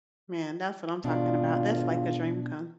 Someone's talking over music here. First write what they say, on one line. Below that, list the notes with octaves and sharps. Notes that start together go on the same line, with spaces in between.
Man, that's what I'm talking about, that's like a dream come
G#1 B2 D4 F4